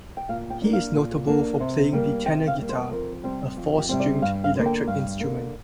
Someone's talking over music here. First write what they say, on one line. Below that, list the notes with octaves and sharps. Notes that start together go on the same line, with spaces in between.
He is notable for playing the tenor guitar, a four-stringed electric instrument.
G5
A#2 F5
G5
A#3 D4
F5
A#2
A#3 D4
C3
G3 A#3
C3 G5
F5
G3 A#3
C5
F2 A#4
C3 G3 C4
F2
G4
C3 G3 C4
D5
G2 F5
F5
D3 A#3
G5
G2 F5
D3 A#3